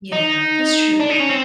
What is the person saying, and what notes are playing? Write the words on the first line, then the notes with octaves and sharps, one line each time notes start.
Yeah. That's true.
D#4
D4
D#4
C#4
C4